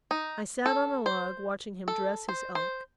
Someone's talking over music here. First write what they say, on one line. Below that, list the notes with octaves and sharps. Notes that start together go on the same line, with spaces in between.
I sat on a log watching him dress his elk.
D#4
A4
C5
A4
C5
C5